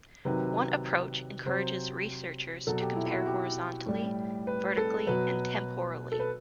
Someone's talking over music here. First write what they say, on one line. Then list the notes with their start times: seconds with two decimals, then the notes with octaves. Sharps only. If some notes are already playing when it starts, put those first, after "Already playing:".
One approach encourages researchers to compare horizontally, vertically, and temporally.
0.25 C3 D#3 F#3 B4
1.46 C3 F#3 C5
2.67 B2 F#3 A4
2.81 G4
2.96 E4
3.06 E4
3.11 F#4
3.26 G4
3.87 A2 G3
4.47 B4
4.77 A4
5.07 B2 F#3 B4
6.12 A4
6.20 B4